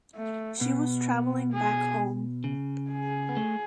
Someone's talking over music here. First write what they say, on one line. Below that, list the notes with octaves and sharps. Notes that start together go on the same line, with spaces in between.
She was travelling back home.
A3
B2 B3
G#4
C#3
G#4
B3
A3